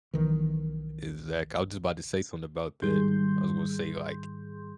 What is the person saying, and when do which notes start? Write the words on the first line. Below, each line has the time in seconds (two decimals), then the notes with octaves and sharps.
Exact I was just about to say something about that. I was gonna say, like,
0.14 B1 D#3 E3
2.82 G#2 D#3 G3 G#4 C6 G6